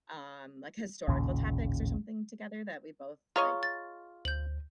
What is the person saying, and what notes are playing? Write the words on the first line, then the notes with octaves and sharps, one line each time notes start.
um, like historical topics, or something, together that we both like.
A1 D#2 A#2 C#3
F4 G#4 C#5 D#5 A#5 F6
A6
D2 G6 F#7